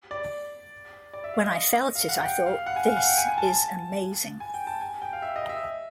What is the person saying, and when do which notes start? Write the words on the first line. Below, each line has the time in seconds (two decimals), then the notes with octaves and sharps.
When I felt it, I thought 'This is amazing.
0.11 D5
1.13 D5
1.24 E5
1.34 F5
1.44 D#5
1.95 F5
2.09 F#5
2.22 G5
2.46 F5
2.66 F#5
2.76 G#5
2.88 F5
2.97 F#5
3.07 G5
3.18 G#5
3.28 G#5
3.38 A5
3.49 A5
4.40 G#5
4.54 G5
4.67 A5
4.81 G#5
5.02 G5
5.13 F5
5.22 E5
5.36 D#5
5.49 E5